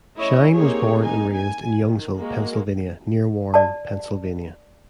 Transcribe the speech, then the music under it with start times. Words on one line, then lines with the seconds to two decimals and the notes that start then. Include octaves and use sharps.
Shine was born and raised in Youngsville, Pennsylvania, near Warren, Pennsylvania.
0.18 A3 C#4 E4 C#5 D#5
0.54 A#3 C4 D#4 G4 G#4 C#5
1.04 D#4 G#5
1.33 G#5
1.84 D#3
2.19 G#3 A#3 F#4
3.54 D5 A5